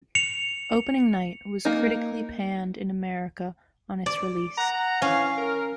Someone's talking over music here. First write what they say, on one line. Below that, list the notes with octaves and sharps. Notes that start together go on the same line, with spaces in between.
"Opening Night" was critically panned in America on its release.
C#7 F7
A#3 D#4
D5
F#5 A#5
E3 C#4 F5
A#4